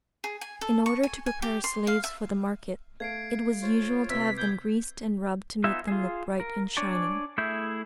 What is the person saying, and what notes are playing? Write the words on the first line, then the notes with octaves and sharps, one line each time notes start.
In order to prepare slaves for the market, it was usual to have them greased and rubbed to make them look bright and shining.
G#4
G#5
A4
C#6
G#5
G#5
G4
C6
F5
E5
A3 F5 G#6 C7 D7
F4 C5 C#5
C3 B4 E6 B6
B3 D6 G6 G#6
B3 D#4 F4 E5 G#5
F4 G#4
A#4
D4 C#5 D5 G#5 A5
A3 E4 G#4 E5 G6